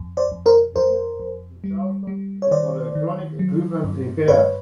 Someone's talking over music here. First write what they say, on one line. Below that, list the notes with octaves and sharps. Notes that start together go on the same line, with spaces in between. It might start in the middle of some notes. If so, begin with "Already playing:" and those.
The visit to Charleston was for electronic equipment repair.
Already playing: F2
C5 D5
F2
A#4 C5
F2 A#4 C5
F2
G3
G3
C#5
D#3 C5 D5
D#3
F#3
G2
G2 B4 C#5